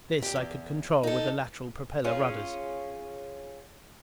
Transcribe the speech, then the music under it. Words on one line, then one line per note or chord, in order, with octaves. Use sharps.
This I could control with the lateral propeller rudders.
A#2 G4
E2
D#4 A4
C#4 F4 G#4